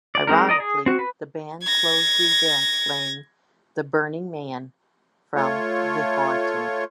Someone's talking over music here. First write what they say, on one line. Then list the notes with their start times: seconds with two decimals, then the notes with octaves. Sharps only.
Ironically the band closed the event playing "The Burning Man" from "The Haunting".
0.15 D5
0.27 G#3 C4 D#4 A#4
0.49 D5 D#5 A#5
0.60 G#4
0.86 C4 F#4
0.99 B4
1.64 G#6 A#6
5.36 A3 F4 C#5